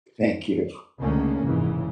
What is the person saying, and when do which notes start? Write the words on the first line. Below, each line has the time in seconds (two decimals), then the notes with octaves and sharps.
Thank you.
0.99 C#2 D3 D#3 A3 A#3 C#4
1.44 F1 G#2 C#3 E3